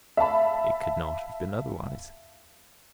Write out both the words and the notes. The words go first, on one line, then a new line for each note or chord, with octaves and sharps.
It could not have been otherwise.
E5 F5 A5 B5